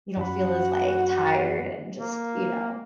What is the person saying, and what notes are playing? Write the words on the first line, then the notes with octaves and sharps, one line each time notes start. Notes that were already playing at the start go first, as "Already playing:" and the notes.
you don't feel as, like, tired, and just you know?
F#2 F#4 F#5 B5
A#3